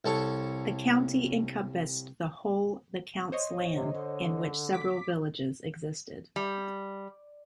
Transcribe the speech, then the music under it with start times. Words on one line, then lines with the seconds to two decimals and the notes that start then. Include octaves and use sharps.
The 'county' encompassed the whole the Count's land in which several villages existed.
0.05 C2 A4 C#5 C#6
3.32 C5 C#5 D#5
3.75 C3
3.91 D3
4.73 D6 B6
6.36 G3